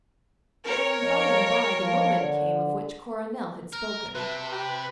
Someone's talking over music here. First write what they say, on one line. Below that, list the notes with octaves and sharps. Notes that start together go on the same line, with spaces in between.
And by and by the moment came of which Coronel had spoken.
A#4 C#5
F2
F3
D3
A#4
C3 F#4 B4 E5 A5
G4 B4